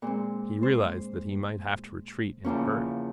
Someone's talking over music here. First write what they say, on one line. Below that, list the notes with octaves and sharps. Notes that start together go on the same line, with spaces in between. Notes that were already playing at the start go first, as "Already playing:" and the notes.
He realized that he might have to retreat in a hurry.
A#2 G#3 C4 A#4
C5
E2 C#3 F3 A#3 C#4